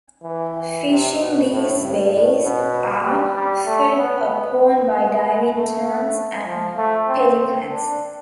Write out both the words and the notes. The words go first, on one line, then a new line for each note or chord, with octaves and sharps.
Fish in these bays are fed upon by diving terns and pelicans.
E3
E3
C3
B2
A2
G2
A2
B2
G3
G3
A3
B3
B3
B3
A3
F3
A3
C4
C4
D4